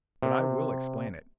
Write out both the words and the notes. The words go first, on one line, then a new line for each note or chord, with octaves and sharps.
But I will explain it.
C3